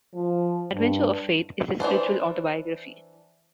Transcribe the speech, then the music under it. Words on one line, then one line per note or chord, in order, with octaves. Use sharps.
"Adventure of Faith" is his spiritual autobiography.
F3
G2
E3 D4 B4 C5